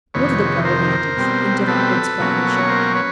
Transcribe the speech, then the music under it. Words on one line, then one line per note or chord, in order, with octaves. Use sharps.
"What are the probabilities?" interrupted Spargo sharply.
F2 C3 D#3 B4 C#5
A#4 C5
B2 G3 C4
A4 B4
B2 F#3 A#3 C#4
C#5
A#4 C5
B4 C#5